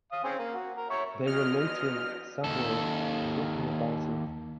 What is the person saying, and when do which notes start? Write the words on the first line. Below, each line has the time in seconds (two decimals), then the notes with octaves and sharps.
They were loitering somewhere, talking about him.
0.12 F5 D#6
0.24 C4 C#4 G#4
0.39 A#3
0.54 F#4
0.76 A#4
0.90 C#5 E5 C#6
1.27 E2 F#3 F4 D#5 F6
2.44 D#2 A4